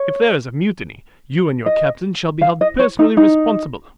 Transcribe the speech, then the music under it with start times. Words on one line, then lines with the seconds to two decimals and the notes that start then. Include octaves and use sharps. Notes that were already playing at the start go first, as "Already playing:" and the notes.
If there is a mutiny, you and your captains shall be held personally responsible.
Already playing: C#5
1.66 D#5
2.42 F5
2.61 D#5
2.79 C#5
2.99 D#4
3.17 D#4